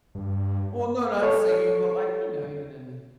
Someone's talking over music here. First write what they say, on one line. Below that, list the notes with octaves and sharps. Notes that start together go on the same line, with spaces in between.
Well, no, not singing, but, like, you know, even in
G2
A4 C#5